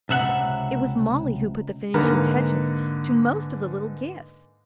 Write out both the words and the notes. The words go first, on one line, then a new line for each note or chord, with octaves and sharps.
It was Mollie who put the finishing touches to most of the little gifts.
C#2 C3 E5 F#5
G#2 D3 A#3 B4 A#5 F6